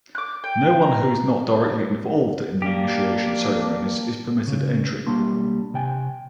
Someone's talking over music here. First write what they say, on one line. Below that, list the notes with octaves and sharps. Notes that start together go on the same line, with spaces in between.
No one who is not directly involved in the initiation ceremonies is permitted entry.
D6 F#6
G5
A#5
A#3 D4 G4
C#3
B1 G3 A#3 D4 C6
C3 G5 G#5